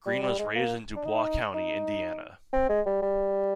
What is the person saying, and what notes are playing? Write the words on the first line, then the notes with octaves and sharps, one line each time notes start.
Greene was raised in Dubois County, Indiana.
G3
G3
G#3
A#3
D4
D#4
D#4
C4
G#3
G3
G3